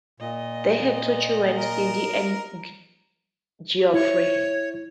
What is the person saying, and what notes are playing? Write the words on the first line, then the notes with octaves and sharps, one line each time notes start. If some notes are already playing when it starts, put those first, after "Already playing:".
They had two children, Cindie and Geoffrey.
A#2 D#5
A#4
E4 C#5